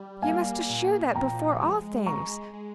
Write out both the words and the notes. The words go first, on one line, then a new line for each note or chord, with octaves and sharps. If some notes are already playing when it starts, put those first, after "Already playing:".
You must assure that, before all things.
Already playing: G3
A#3 F5 G#5
A#2
F3 G5 A#5
G#3
G#3 A#5 C#6
G#3